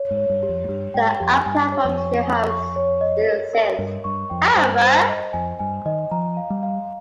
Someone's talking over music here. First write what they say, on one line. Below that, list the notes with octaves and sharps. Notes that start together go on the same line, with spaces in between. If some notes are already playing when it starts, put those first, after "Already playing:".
The Up platform still exists however.
Already playing: C#5
G#2
C#5
G2
G4
F2
G#2
G2 G4
G#2 G5
F2 G4
G2 G#5
C#5
F2
C#6
G#5
C#6
C#5
D#5
A#4
A#4
G2 A#4
G2 C#6
F2 G5
G2 C5
C5
D#5
F2 G#5
G2 G#5
D#3 D#5
F3 A#5
F5
G3
F5